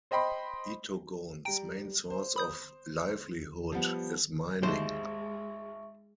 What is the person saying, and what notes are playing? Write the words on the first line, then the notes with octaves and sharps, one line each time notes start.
Itogon's main source of livelihood is mining.
C5 D#5 G5 B5 C6
G3 G5 A#5 D7
C5
B5 D#6 G6
F3 G3 B3
G#1 D#2 G#3 C5 E5 C#6